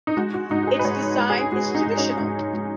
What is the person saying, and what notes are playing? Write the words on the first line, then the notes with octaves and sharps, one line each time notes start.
Its design is traditional.
D#4
G#3 F#4
F#4
G#2 D#4
F#4
G#4
B4
G#2 C#5
G#3
G#4
G#3 F#4
D#4
G#2
C#4
G#2 D#4
G#3